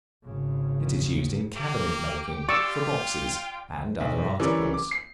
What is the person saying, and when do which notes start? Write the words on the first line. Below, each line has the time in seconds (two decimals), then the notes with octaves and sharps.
It is used in cabinet-making, for boxes, and other articles.
0.24 G#1 C#3
1.56 A#3 G4
2.49 F4 D5 C#6 E6
4.00 B1
4.40 E3 G3 C#4 A#4 D5
4.74 D6
4.91 C7